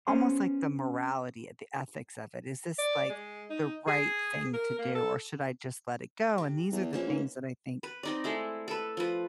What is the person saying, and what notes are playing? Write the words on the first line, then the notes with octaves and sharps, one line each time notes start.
almost like the morality or the ethics of it. "Is this, like, the right thing to do, or should I just let it go," and these are the things that I think
B3 C#4 G#4 C5
D5
G#3
D#4
G#4
A#4
A#3
A4
C3
E2
A#1 E3 A#3 C#4
G#2
B4
C4 D#4 D5
G#3 A3 E4
A4 B4
F3 B4